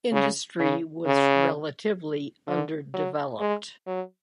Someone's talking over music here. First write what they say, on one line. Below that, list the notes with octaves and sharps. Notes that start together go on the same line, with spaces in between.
Industry was relatively underdeveloped.
C#3
C#3
C#3
D3
F#3
G#3
F#3